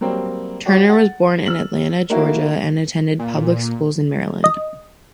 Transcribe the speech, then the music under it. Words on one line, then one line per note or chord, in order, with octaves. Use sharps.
Turner was born in Atlanta, Georgia, and attended public schools in Maryland.
F#3 G3 A#3 C4
F#4 G4 C#5
F#5 A6
E6 F6 F#7
A3 A#3 D#4 E4 F#4 A#4
A#2
D#5